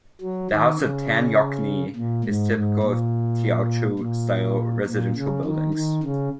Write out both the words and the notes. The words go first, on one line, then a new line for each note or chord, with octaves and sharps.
The House of Tan Yeok Nee is typical of Teochew-style residential buildings.
F#3
D#3
C#3
A#2
G#2
G#2
A#2
A#2
A#2
C#3
D#3
D#3
C#3